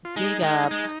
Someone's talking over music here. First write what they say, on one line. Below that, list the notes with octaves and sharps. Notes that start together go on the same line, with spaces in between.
dig up
F4
G#3 D#4
G#3
G#3